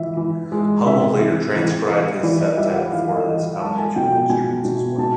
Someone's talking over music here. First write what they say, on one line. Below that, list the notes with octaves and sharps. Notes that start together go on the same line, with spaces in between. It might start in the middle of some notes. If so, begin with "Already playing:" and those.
Hummel later transcribed his septet for this combination of instruments as well.
Already playing: E3 E5
E3
G#3
C3 E5
E3
E3
E3
E3 D5
D#5
G3 E5
F#5
F5
E3 F5
D#5
E3
F5
G#3 A5
G#5
B2 G5
G5
B2 G#5
B2
B2 A5